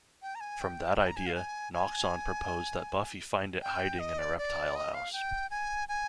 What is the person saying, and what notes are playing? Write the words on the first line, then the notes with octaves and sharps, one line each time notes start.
From that idea, Noxon proposed that Buffy find it hiding in a reptile house.
G5
A#5
G#5
G5
G5
A#5
G#5
F5
G#5
G#5
G5
D#5
D5
D5
D#5
F5
G5
G#5
G#5